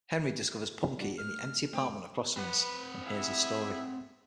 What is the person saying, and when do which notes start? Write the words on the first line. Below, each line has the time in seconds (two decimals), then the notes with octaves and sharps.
Henry discovers Punky in the empty apartment across from his, and hears her story.
0.99 G3 D4 F#4
1.18 A3 F6
1.73 A3 C4 G5
2.36 C4 B4 F#5
3.07 E4 G#4 E5